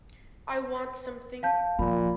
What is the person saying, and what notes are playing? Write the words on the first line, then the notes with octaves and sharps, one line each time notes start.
I want something.
F5 A5 G6
A#2 F3 B5